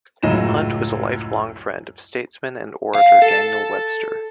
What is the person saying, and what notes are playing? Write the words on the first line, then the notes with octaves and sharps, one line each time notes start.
Hunt was a lifelong friend of statesman and orator Daniel Webster.
C#2 F#2 A2 D#5 E7
F5
A4